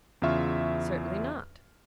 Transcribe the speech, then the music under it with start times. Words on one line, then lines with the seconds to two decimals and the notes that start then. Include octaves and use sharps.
Certainly not.
0.22 E2 C#3 F4 E5 C#6 F6